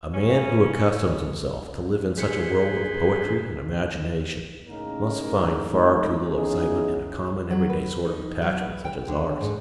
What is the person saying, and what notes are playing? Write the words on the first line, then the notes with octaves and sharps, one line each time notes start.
A man who accustoms himself to live in such a world of poetry and imagination must find far too little excitement in a common, every-day sort of attachment such as ours.
C#3 C#4
F#3 G4 G#4 B4 C5 C#7
A2 C#3 A#3 C#4 D#4 A#4
G#3 A3 D#4
B3 C#4 D#4 E4 G#4
F#3
B4
D#4
F#3
B4
G5
D3
G#2